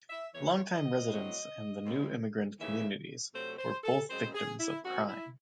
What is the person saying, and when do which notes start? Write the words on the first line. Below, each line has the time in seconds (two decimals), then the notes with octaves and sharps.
Long-time residents and the new immigrant communities were both victims of crime.
0.10 E5
0.34 E2 C#3 E3 C#5
0.72 D#5
1.09 A2 F#3 C4
1.85 D#2 C#3 G#3 C4
2.59 D#2 C#3 E3 A3 E5
3.34 C3 F#3 A3 C4 C5
3.59 C5
3.84 A4
4.09 F#2 C#3 G#3 C4 C5
4.35 G#4
4.60 E4
4.84 F#2 D#3 G#3 C4 F#4
5.09 E4